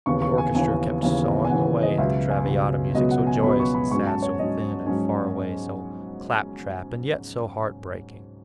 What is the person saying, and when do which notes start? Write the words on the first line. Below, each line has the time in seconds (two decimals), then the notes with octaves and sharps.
The orchestra kept sawing away at the "Traviata" music, so joyous and sad, so thin and far-away, so clap-trap and yet so heart-breaking.
0.06 D#2 C#3 E3 B3 C#6
0.22 C#6
0.38 G#5
0.55 D#2 C#3 E3 B3 G#5
1.03 D#2 C#3 E3 B3
1.45 G#5
1.50 D#2 C#3 E3 B3 F#5
1.82 D#5
1.98 C#2 B2 F#3 B3 E5
2.30 G#5
2.46 C#2 B2 F#3 B3
2.95 C#2 B2 F#3 B3 D#5
3.11 F#5
3.27 G#5
3.43 C#2 B2 F#3 B3 B5
3.59 C#6
3.74 B5
3.91 G#2 F#3 C#4 C#6
4.07 A5
4.22 C#5
4.39 G#2 F#3 C#4 D#5
4.86 G#2 F#3 C#4